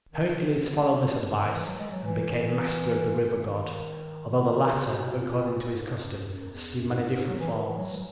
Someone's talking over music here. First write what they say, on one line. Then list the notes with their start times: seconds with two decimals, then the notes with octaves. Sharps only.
Hercules followed this advice and became master of the river god, although the latter, according to his custom, assumed many different forms.
0.13 D#3
0.26 E3
0.38 F#3
0.51 C#4
0.64 B3
0.77 G#3
0.89 F#3
1.03 E3
1.15 C#3
1.29 D#3
1.41 D#3
1.54 E3
1.66 F#3
1.78 G#3
1.92 F#3
2.04 E3
3.20 D#3
4.71 C#3
4.84 B2
4.97 B2
5.11 A#2
5.73 G#2
5.99 F#2
6.25 F#2
6.50 E2
6.75 F#2
6.89 G#2
7.01 G#2
7.14 G#2
7.27 F#3
7.39 E3
7.52 D#3
7.65 E3
7.77 F#3
7.96 F#3